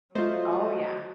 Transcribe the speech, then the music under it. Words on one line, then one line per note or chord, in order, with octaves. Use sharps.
Oh, yeah.
F#3 A3 F4 C5 D#5